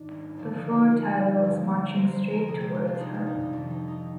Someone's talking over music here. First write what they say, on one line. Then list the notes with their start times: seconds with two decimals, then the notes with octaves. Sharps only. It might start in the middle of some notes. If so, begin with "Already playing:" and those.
The floor tiler was marching straight towards her.
Already playing: G#2 D#3 D4
0.36 D#2 D3 F3 G#3 D4
0.55 D#4
0.73 F4
0.91 F4
1.42 G2 D3 F3 G#3
1.85 A#4
1.95 C5
2.13 C5
2.30 A#4
2.48 C2 C3 G3 G#4
2.61 G4
2.74 F4
2.87 D4
2.95 F4
3.00 D#4
3.14 D4
3.27 D#4
3.40 D#4
3.53 F2 C3 D#3 D4
3.70 D#4
3.88 D#4